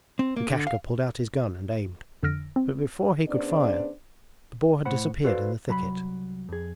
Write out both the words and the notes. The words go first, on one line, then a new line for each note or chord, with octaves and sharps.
Lukashka pulled out his gun and aimed, but before he could fire the boar had disappeared in the thicket.
C4
A#3
D3
F5
F2 D3 E6 F6 A#6 D7
C4
C#3 B3 D4 C5 D5
A2 C5 F#5 B5
F#4 A4 B4 C5 D5 F5
C2 F#3 A#5 B5
F2 G#4